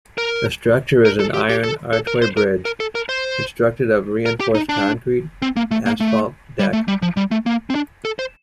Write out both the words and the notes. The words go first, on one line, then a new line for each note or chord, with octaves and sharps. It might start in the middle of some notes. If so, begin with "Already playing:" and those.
The structure is an iron, archway bridge, constructed of reinforced concrete, asphalt deck.
A#4
A#4
A4
G4
G4
A4
A4
A#4
C5
A#4
A#4
A4
A#4
C5
A#4
G4
D#4
D4
C4
A#3
A3
A#3
A3
G3
A3
G3
F3
G3
A3
A#3
C4
D4
A4
C5